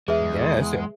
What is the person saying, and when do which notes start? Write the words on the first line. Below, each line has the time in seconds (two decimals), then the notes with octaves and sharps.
Yes, and
0.08 E2 G#3 G#4 B4 E5